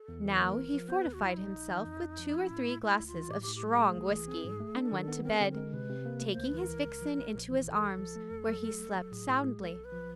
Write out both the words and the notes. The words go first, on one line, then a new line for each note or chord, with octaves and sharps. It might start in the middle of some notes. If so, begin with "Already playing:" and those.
Now he fortified himself with two or three glasses of strong whisky and went to bed, taking his vixen into his arms, where he slept soundly.
Already playing: A4
E2
E3
A#3 A#4
B1
F3
B3 C5
D#2 B4
F#4
F#3 E4
A#1 D#4
A#1
E3
F2
F2
F3
C#4 E4
A2
A3
A3 E4
D2
F4
E3
A2 G4
G4
A2
G4
G3 G#4
A3
C2
E3
C4
G#2
A3
D4 A4
D#3
B3
C4 A#4
D3 A4
A#4
G#3
C3 B4
C3
A#3
A3
D2 C5
B4
E3 A#4
C#2
C#2
F3
A#1
A#1
E3
C#2 A4
C#2
F3
A3
F2
F#3
A3
A#1
F#3
A2 G#4
A2
G#3
B1 A4
B1
B4
F3